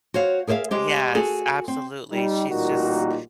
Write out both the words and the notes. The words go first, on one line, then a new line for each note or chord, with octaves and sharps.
Yes, absolutely, she's just
F#4 C5 C#5 F5
G#4 A#4 C5 E5 F5
G#3 G4 C5
F#4 G#4 A4
C4
G3 D#4
A1 A#2 G3 A#3 D#4 F#4